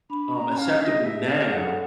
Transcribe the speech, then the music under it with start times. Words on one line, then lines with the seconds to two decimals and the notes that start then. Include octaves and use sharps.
um, acceptable now
0.10 D4 B5
0.34 A#5
0.42 C#4
0.57 F5
0.72 D4
0.80 E5
0.84 D#5
0.94 G#4
1.04 G4 E5
1.27 G#4 F5
1.51 A4 F#5